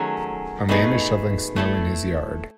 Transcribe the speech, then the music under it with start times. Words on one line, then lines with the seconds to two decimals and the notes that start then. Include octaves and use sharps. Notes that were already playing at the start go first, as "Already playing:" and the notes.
A man is shoveling snow in his yard.
Already playing: D#3 F#3 A3 C#4 G#4
0.69 B2 A3 D#4 G#4 B4
1.56 A3 E4 A4